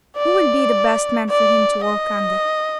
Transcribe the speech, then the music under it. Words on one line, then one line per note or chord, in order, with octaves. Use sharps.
Who will be the best man for him to work under?'
D5
D5
D#5